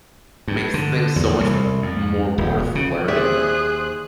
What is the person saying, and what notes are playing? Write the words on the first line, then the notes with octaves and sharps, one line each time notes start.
makes things so much more worth learning,
G2
D3
E2
C2
F2
D#1
C#3
D#2 G#4 C5 D5 E5 F#6